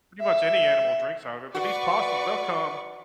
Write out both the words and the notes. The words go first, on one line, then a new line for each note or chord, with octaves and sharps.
pretty much any animal drinks out of it, but these possums, they'll come
E5
F#4 B4 D5 C#6